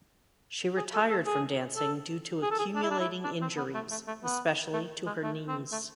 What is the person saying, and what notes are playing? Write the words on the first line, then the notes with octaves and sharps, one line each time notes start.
She retired from dancing due to accumulating injuries, especially to her knees.
G#4
A4
A4
G#4
A4
G#4
A4
G#4
D4
E4
D4
E4
D4
C4
B3
A3
A3
A3
B3
A3
G#3
A3
C4
A3